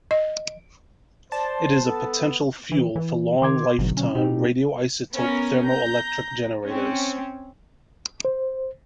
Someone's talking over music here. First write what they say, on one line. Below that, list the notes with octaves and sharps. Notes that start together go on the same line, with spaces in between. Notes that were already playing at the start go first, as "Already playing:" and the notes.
It is a potential fuel for long-lifetime radioisotope thermoelectric generators.
D#5
C5 D5 A5
B3 A4
E3
E3
D#3 C6 D6 G#6
G#1 B2 D3 F#3
C#4
B2 C4 D#4 G4
B3 C#4 A#4
A#5 G6
C4 C#4
C5